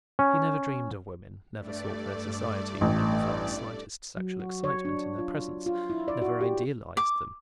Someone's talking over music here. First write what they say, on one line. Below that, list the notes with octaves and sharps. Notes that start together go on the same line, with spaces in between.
He never dreamed of women, never sought their society, never felt the slightest sexual excitement in their presence, never idealized them.
C#4
G2 A3 D5
A1
F#3
F#4
C#5
D4
F4
F4
E4
D5
F#4
G4
D6